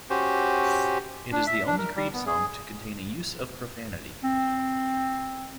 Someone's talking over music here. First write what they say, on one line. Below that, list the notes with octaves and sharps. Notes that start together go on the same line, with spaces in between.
It is the only Creed song to contain a use of profanity.
C#4 F#4 G4 C5
D4
E5
D4
A#4
G3
B3
G#4
C4